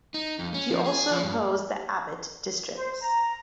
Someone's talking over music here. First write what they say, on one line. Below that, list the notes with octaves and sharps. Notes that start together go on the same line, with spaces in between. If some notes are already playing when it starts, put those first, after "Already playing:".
He also opposed the Abbott districts.
D#4
F2
C#4
F3
G#4
F3
G2
C5
A#5